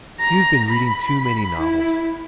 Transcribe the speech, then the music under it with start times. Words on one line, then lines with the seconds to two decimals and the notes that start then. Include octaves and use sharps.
You've been readin' too many novels.
0.20 A#5
0.71 B5
1.60 E4